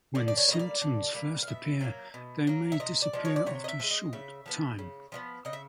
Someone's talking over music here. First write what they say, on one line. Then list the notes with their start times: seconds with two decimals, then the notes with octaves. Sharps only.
When symptoms first appear, they may disappear after a short time.
0.15 D3 D5
0.28 D5
0.37 C#5
0.48 G3 A#3 D#5
0.59 D5
0.81 D3
1.14 G3 A#3
1.43 F5
1.48 B2 E5
1.81 F#3 A#3
2.14 B2
2.47 F#3 A#3
2.72 E5
2.80 C3 D#5
3.02 D5
3.13 F3 G#3
3.25 C#5
3.36 D5
3.46 C3 C#5
3.64 D#5
3.68 E5
3.79 F3
3.83 G#3
3.91 D#5
4.13 C#3 E5
4.46 F3 G#3 B3
4.79 C#3
5.12 F3 G#3 B3
5.45 C#3 D#5
5.53 E5